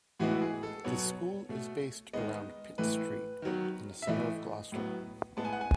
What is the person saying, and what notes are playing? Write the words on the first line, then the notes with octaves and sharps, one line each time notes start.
The school is based around Pitt Street in the centre of Gloucester.
A2 E3 G#3 B3 F#4
G#4
A4
B2 F#3 B3 C#5
B2 A3
D#3 G#3 B3 D#5
A2 E3 A3 B4
D#3 F#3 B3
E5
A2 E3 A3 D#5
A2 F#3 B3
A2 G#3 B3 A5
G#5
F#5
G#5